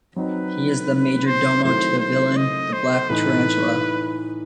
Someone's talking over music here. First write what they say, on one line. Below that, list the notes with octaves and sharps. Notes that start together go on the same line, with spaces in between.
He is the majordomo to the villain the Black Tarantula.
F#3 C4 D#4 B4
C5
D#3 F#3 A3 E4 C5
C5
D#5
C5
A2 E3 A3 D#4 B4